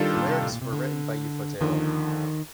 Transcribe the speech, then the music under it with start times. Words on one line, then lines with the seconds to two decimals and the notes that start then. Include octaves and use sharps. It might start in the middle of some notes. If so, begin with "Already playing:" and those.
The lyrics were written by Ufotable.
Already playing: D#3 G3 D4 F4 A4
0.17 A#2
0.28 C3
0.42 A2
0.52 A#2
0.62 C3
0.73 D3
1.61 D#2 D3 D#3 F3